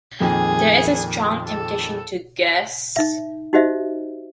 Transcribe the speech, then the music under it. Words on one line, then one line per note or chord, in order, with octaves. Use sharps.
There is a strong temptation to "guess".
F2 A#2 D#3 G#4
A4
D#4 E5
D#4 F#4 G4 C5 D#5 E5